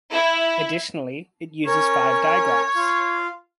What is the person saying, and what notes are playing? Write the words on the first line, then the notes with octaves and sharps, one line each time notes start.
Additionally, it uses five digraphs.
E4
C#4 A#4 C#5
F4 F5